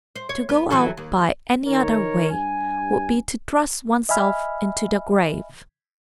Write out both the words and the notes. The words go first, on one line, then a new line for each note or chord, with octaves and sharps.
"To go out by any other way would be to thrust oneself into the grave."
C5
C#5
B3
E3 F#3 A4
D#2
D#3 D#4 A#4 C#5
G2 G#5
D#5 E5 G#5 B5 F6